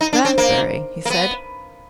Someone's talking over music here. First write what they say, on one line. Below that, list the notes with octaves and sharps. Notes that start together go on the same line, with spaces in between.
"Rathbury!" he said.
D#4
D4
C4
A#3
A#3
B3